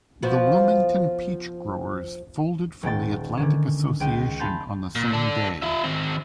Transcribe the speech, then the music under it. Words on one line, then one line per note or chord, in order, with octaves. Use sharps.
The Wilmington Peach Growers folded from the Atlantic Association on the same day.
F3 B3 F#4
D#1 G#3 C#4 G5 A6
D3 D#3 C#4
C#2 G5 D#7
F5 G#5 A5 B5 C6 G6
A#2
D4 A4
F4 E5
D#3 C4